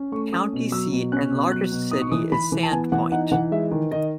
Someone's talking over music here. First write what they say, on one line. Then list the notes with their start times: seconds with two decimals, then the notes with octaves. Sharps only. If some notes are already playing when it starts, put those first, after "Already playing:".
The county seat and largest city is Sandpoint.
Already playing: C#4
0.12 A3 C#6
0.32 C#4 D#6
0.53 B2
0.72 F#3 E6
0.92 B2
1.12 C#4 F#6
1.32 B2
1.52 F#3 F#6
1.72 B2
1.91 D#4 D#6
2.02 C#6
2.11 E3 D#6
2.32 E3 B5
2.52 E3
2.63 A5
2.72 B3 G#5
2.92 E3 F#5
3.12 D#4 F#5
3.32 E3 F#5
3.52 G#3 E5
3.71 D#3
3.91 D#3 D#5